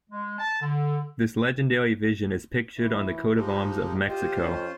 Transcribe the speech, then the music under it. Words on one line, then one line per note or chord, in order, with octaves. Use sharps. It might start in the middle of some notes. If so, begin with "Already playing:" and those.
This legendary vision is pictured on the Coat of Arms of Mexico.
G#3
A5
D3
E3
F3 G#3 D#4 G4
F4 G4 C5 D#5
F2 C#4